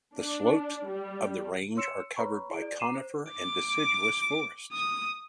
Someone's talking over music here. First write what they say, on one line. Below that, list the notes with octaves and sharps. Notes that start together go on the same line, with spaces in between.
The slopes of the range are covered by conifer and deciduous forests.
D4
G3
C#5 C6 E6 C#7 E7
B4 C#5 A#5 B5 C#6
E4 G#4 D7
D5
A#5 D6 C7 D#7 E7
C5
D6
D#6